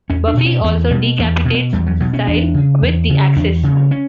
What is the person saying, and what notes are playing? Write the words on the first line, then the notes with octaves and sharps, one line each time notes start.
Buffy also decapitates Cecile with the axes.
E2 C#4
D4
B2
C#4
E2 B3
B2 G3
E2 A#3
B2
B3
E2 G3
F#3
B2 F#3
C#4
E2 D4
C#3
E2
C#3
E2 D4
C#3
C#4